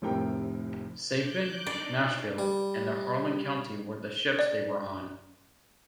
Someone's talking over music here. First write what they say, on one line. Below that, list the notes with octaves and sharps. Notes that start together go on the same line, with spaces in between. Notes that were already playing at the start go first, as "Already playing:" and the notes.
Saipan, Nashville, and the Harland County were the ships they were on.
F1 A2 C3 A#4 G5
D6 F#6 G6
D4 D#4 D5
G3
D5